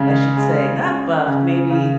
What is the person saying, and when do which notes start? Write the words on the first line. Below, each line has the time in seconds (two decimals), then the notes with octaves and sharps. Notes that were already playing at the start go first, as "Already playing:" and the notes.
I should say. Not buff, maybe
Already playing: C#3 G#3
0.37 G#3
0.82 C#4
1.26 C#3
1.70 C#3